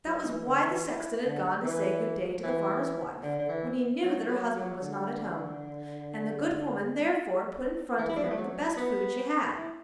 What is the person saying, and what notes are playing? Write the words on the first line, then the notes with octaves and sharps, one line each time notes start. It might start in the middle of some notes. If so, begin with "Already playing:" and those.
That was why the sexton had gone to say good-day to the farmer's wife when he knew that her husband was not at home, and the good woman therefore put in front of him the best food she had.
F#3
E3
D3
E3
E4
D3
E3
E3
D3
D3
E3
F#3
F#3
F#3
D3
E3
E4
D4
B3
A3
F#3
B3
E4